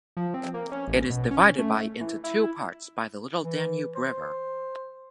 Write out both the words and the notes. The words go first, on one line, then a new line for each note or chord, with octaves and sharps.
It is divided by into two parts by the Little Danube river.
F3
C4
A#3
C#4
A1
B2
C#4
A3
E3
E4
E3
C5